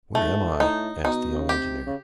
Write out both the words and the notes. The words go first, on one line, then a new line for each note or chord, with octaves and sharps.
"Where am I?" asked the young engineer.
G#2 A3
A2 D#4
B2 D#4
C#3
C3 G4
C#3